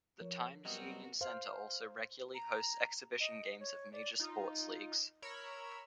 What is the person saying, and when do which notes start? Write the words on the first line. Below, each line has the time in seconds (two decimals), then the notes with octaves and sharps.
The Times Union Center also regularly hosts exhibition games of major sports leagues.
0.21 F3 A#4 C#5
0.65 F#3 G3 B3 C4 F#4 A#4 D#5 D#6
1.21 C5 F5
2.34 A#5
3.20 D#5
3.60 C#5
3.93 D5
4.20 D#4 F4
5.22 A#4 C#5 B5 E6